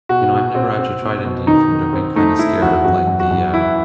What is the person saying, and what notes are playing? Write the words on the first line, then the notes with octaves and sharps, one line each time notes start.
You know, I've never actually tried Indian food, I've been kinda scared of, like, the, uh,
B2 F#4
B2
C4
C4
B2
B2
D#3 D#4
D#3
C4
A3 D#4
A3 E4
E2 F#4
F#2 F#4
F#2
F#4
F#2
E3 E4